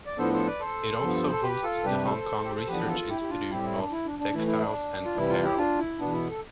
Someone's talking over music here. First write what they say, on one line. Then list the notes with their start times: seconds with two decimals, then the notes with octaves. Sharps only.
It also hosts The Hong Kong Research Institute of Textiles and Apparel.
0.06 D5
0.18 A2 F3 B3 D4 A4 C5
0.33 A4 C5
0.46 B4 D5
0.60 A4 C5
1.01 G2 F3 B3
1.31 A4
1.43 G4 B4
1.63 F4 A4
1.84 C3 G3 D4 G4 B4
2.05 A4 C5
2.44 G4
2.56 A4
2.67 E2 D3 F3 B3 D4 G4 B4
2.88 F4 A4
3.09 E4 G4
3.21 G4
3.29 D4 F4
3.50 A2 G3 C4 E4 G4
3.64 E4
3.78 D4
3.92 E4
4.06 D4
4.19 D4
4.33 A2 E3 A3 E4
4.47 E4
4.61 D4
5.05 F4
5.16 C3 E3 G3 E4
5.30 D4 F4
5.44 E4 G4
5.57 D4 F4
5.79 E4
5.99 E2 B2 B3 D4
6.13 E4
6.30 A4